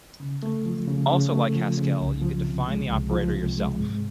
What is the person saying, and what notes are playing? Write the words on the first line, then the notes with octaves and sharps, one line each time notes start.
Also like Haskell you could define the operator yourself.
C#3
A3
F3
C#3
C#3
A3
F3
C#3
C2
F3
C3
G#3
C2
F3
C3
G#3
G#2